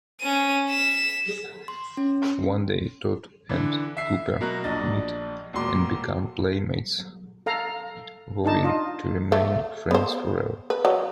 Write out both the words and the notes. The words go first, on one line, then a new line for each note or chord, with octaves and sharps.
One day, Tod and Copper meet and become playmates, vowing to remain "friends forever".
C#4 D#7
B6 E7
C6
C#4
D3 E3
E5 C7
B2 F#3 A#4 F#6
A#1 D4 D#5 A6
E1 A#2 C6 D6
A4 F5 A#5
D4 D#4 A5
F4 D#5
A3
B3 C5
B4
F#3